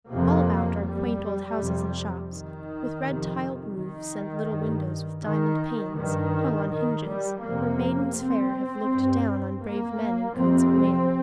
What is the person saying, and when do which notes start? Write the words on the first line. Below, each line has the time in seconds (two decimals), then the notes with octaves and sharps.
All about are quaint old houses and shops, with red-tiled roofs, and little windows, with diamond panes, hung on hinges, where maidens fair have looked down on brave men in coats of mail.
0.10 F2 C3 A#3
0.84 G3
1.57 F2 C3
2.31 D#3
3.04 F2 C3
3.77 D#3
4.51 G2
5.24 D#3
5.97 G2 D#3
6.71 D#3
7.07 G3
7.44 F2 C3 A#3
8.17 C4
8.90 G2
9.63 A#3
10.37 F2 C3 C4